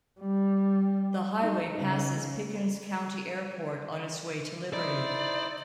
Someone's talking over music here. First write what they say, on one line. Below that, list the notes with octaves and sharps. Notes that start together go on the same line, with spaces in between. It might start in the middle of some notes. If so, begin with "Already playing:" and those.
The highway passes Pickens County Airport on its way to Liberty.
G3
D#4
C#3
D#4 E4 C5 D5